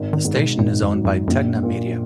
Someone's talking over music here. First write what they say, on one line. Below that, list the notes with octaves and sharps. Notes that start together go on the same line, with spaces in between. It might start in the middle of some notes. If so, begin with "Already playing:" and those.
The station is owned by Tegna Media.
Already playing: G#1
D#3
G#2
B2
G#1 A#2
F#2
F#3
F#2
A#1 F#2
A#2